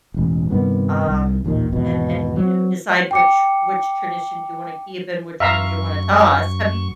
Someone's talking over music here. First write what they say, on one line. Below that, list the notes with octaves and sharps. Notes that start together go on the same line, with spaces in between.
um, and and, you know, decide which which traditions you wanna keep and which ones you wanna toss. Have you
E1 A1
G2 C3 D#3 B3
C2
A1 D#2 A#2 D#3
G#1 E2 B2
F#3 C4
G5 D6 C#7
F#2 E5 F5 A#5 C#6